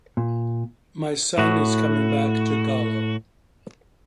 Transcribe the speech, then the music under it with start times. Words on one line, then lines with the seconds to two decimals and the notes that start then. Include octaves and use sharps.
My son is coming back to "Galo".
0.17 A#2
1.38 A2 F#4